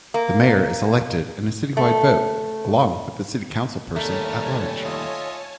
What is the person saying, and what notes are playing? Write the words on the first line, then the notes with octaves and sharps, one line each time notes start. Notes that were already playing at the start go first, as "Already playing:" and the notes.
The mayor is elected in a citywide vote, along with the city councilperson-at-large.
A#3
A3
D#2 G3 A3 A#4 C#5 G#5 A5
F4 D#5 E5